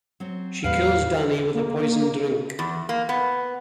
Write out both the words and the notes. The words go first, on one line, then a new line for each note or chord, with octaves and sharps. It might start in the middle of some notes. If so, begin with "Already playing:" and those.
She kills Danny with a poisoned drink.
F#3 C4
E2 A2 G3 A#3 B4 F5 F#5
A#3
E2
A#3
B3